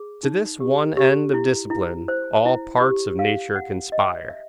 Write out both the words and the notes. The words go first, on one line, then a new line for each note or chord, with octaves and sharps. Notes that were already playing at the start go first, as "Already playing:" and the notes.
To this one end of Discipline, all parts of nature conspire.
Already playing: G#4
D#4
G4
G4
E4
E4
C5
E4
G4
F5
F#5
D#5
E5